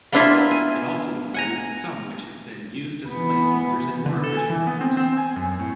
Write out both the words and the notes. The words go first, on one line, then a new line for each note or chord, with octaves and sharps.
It also includes some which have been used as placeholders in more official works.
A#3 B3 D4 E4 F4 E5
G#5
F#5 G#5 A#5
E3 B3
D3
A4
G#5
E3
B3
C4
C4
G#5
F#2
A2